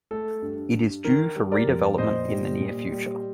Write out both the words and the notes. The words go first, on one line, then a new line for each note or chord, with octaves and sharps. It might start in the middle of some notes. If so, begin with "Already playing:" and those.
It is due for redevelopment in the near future.
A3 A4
G2
G2
D#3 A#4
G3
A#4 D5
F2
A#2 C5 D#5
G3
A#2
G3